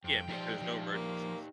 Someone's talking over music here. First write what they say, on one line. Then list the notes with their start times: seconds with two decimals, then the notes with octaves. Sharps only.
Yeah, make sure there's no emergencies.
0.04 F2 G5
0.29 F3 D#4 G4 C5 D5
0.62 F3
0.93 A#3